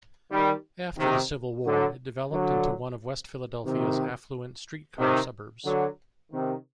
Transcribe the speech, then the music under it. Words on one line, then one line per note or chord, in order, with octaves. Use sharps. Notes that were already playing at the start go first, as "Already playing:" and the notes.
After the Civil War, it developed into one of West Philadelphia's affluent streetcar suburbs.
D#3 G3
C3 D#3
D3 F#3
D3 F#3
C3 D#3
C3 D#3
D3 F#3
C3 D#3